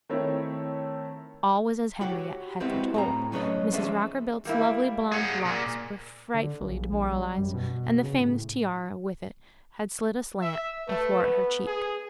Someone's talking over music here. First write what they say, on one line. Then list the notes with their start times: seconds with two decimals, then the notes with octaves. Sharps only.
All was as Henriette had foretold, Mrs. Rockerbilt's lovely blond locks were frightfully demoralized, and the famous tiara with it had slid aslant athwart her cheek.
0.09 D#3 A3 C4 E4 C#5
2.01 F#4 G4 C#5
2.60 G#3 B3 C4 E4 F#4 G4
2.94 A2 C4 A#5
3.32 F#3 A3 C#4 B4 C#5 D#5
3.72 F3 G#3 C#4 D4 D5 E5
4.45 G3 A#3 E4
5.12 G#4 F#5
5.45 A#2
6.34 D3
6.61 A#1
6.92 A#1
7.11 G3
7.38 F#2
7.54 B2
8.03 C#3
8.18 A2
10.41 E5
10.88 A3 B4
11.23 B3
11.67 G#4